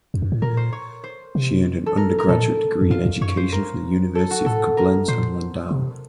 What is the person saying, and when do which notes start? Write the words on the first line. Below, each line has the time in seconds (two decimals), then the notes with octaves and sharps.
She earned an undergraduate degree in education from the University of Koblenz and Landau.
0.14 F2
0.22 F#2
0.32 A2
0.42 A#2 A#4
0.57 C5
0.72 C#5
1.04 C5
1.35 C3
1.86 A4
1.97 A#4
2.18 A#4
2.28 A#2 A4
2.81 F2
2.90 F#2 F4
3.05 F2
3.21 F#2 C#5
3.37 C5
3.52 A#4
4.15 A4
4.31 F#4
4.46 A2 A4
4.77 A#4
5.08 A#2 C5
5.71 C3